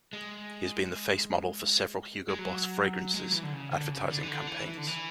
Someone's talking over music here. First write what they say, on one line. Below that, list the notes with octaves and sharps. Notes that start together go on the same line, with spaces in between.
He has been the face model for several Hugo Boss fragrances advertising campaigns.
G#3
G#3
F#3
G#3
F#3
E3
D3
C#3
D3
C#3
D3
E3
D3
E3
E3
D3
E3